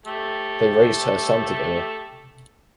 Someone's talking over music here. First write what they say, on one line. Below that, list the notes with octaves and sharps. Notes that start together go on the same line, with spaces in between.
They raised her son together.
A3 G4 A4